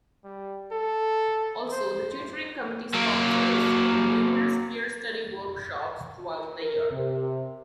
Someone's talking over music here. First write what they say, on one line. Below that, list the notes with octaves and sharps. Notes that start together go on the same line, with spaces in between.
Also, The Tutoring Committee sponsors numerous Peer Study Workshops throughout the year.
G3
A4
C5
F#3 A#3
A#4
C3